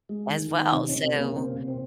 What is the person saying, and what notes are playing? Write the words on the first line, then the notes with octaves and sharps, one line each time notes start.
as well, so
G#3
D#3
D#3
C3 C4 D#4
C#4
C3
C4
A#3
C#4
C3 C4
C3
C4